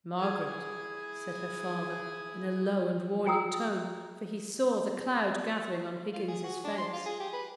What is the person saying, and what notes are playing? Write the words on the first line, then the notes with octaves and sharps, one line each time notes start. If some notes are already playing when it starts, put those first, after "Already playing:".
'Margaret,' said her father, in a low and warning tone, for he saw the cloud gathering on Higgins's face.
E4 G#4
G#4 G5 A#5 D#6 E6
F4
G#4
F#4
D4
C6
F4
G#4
G4
B4